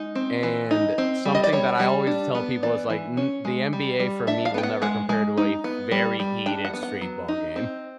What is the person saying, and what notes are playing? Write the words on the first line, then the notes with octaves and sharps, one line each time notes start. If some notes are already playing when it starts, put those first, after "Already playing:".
And something that I always tell people is like, mm the NBA for me will never compare to a very heated street ball game.
Already playing: G#3 D#4
C4
E3
D#4
C4
G3
D#5
D5
G3 C#5
G3
D4
B3
E3 D5
E3
C#4
G#3
G3
G3
D4 E5
F5
B3 G5
F#5
G#3 F#5
G#3
D#4
B3
G3
G3
D4 G5
F#5
B3
F#5
F#3
D#4
C4